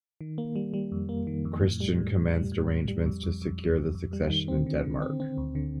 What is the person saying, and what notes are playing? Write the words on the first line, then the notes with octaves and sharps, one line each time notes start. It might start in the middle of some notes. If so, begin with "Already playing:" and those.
Christian commenced arrangements to secure the succession in Denmark.
D#3
A#3
G3
G3
F2
A#3
D#3
F2
A2
G3
A2
A2
G3
A2
A2
G3
F2
F2
F2
F2
F2
F2
G3
D#3
C4
D3
D3
C4
C4
D2
D3